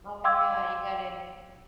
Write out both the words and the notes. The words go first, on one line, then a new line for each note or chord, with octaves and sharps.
Oh yeah, you got to
F5 G5 C6 D6 E6 G#6